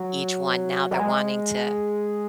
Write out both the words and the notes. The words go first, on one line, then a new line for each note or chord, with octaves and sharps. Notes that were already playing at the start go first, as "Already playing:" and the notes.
each one now they're wanting to
Already playing: F#3
F#3
G#3